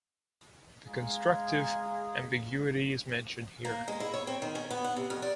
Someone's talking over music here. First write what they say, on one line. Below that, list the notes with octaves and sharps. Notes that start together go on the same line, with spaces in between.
The constructive ambiguity is mentioned here.
G#3 G#4 F5 A#5
A#3
G#3
E4
C#5
C4
D#3
C#4
B3
F#5
C3
F2
D5